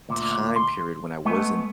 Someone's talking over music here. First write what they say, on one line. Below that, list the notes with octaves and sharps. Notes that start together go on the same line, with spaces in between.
time period when I wasn't
D2 A#2
C6
G#3 A3 B3